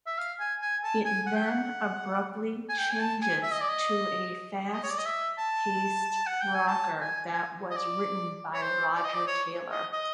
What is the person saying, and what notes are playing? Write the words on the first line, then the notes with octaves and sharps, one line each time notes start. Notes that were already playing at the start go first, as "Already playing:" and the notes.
It then abruptly changes to a fast-paced rocker, that was written by Roger Taylor.
E5
F5
G#5
G#5
A5
G#5
F#5
G5
F#5
G#5
G5
G#5
A5
G#5
E5
D#5
D5
D#5
D#5
C#5
D5
D#5
E5
A5
F#5
G5
G#5
A5
G#5
G#5
D#5
D5
C#5
C5
D5
D#5
D5
C#5
D#5
D#5